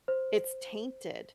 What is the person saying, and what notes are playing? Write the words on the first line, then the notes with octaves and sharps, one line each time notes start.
it's tainted
C5